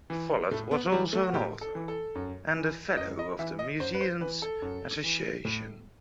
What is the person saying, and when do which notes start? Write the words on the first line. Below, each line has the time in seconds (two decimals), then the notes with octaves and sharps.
Follett was also an author and a Fellow of the Museums Association.
0.10 E3
0.51 A2 A3
0.71 B3
0.86 F#3
0.92 E3 G3
1.13 A3
1.23 F#4
1.33 A2 G4
1.61 A4
1.75 E3
1.88 A4
2.15 F#2
2.56 E3
2.97 F#2 D#5
3.19 D#5
3.39 E3 E5
3.59 D#5
3.80 F#2 C5
3.95 B4
4.01 C5
4.21 E3 B4
4.42 A4
4.62 F#2
5.04 E3
5.45 A2